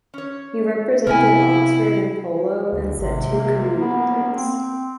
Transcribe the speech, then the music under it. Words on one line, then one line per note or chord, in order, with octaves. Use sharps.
He represented Oxford in polo and set two canoeing records.
C#4 C#5
C3 B3 E4 A#4 G5 G#5
D2
G#1 C3
A#3
B3
C4